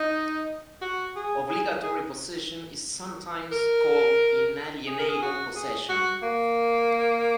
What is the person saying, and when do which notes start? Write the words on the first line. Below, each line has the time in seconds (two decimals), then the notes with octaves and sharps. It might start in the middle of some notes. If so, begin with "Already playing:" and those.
Obligatory possession is sometimes called inalienable possession.
Already playing: D#4
0.81 F#4
1.16 G#4
1.49 G#4
1.83 G#4
3.52 A#4
4.87 G#4
4.99 A#4
5.10 G#4
5.22 F#4
5.55 G#4
5.89 F#4
6.22 A#3